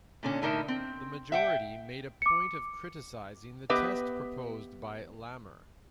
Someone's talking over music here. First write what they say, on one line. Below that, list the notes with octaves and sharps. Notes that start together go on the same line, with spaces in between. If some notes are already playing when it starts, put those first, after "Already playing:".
The majority made a point of criticizing the test proposed by Lamer.
A#2 D3 C#4
A2 D3 D#4 A#4 E5
C4
E5 F#5 G5
D6 C#7
B3 G4 B4 D#5 E5